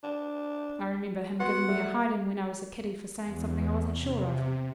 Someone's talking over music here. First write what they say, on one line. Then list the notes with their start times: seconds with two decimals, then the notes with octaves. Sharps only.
I remember him giving me a hidin' when I was a kiddy for saying something I wasn't sure of.
0.03 D4
1.40 B3 F#4 F#5 C6
1.69 G3 A3
3.24 E2
3.94 C3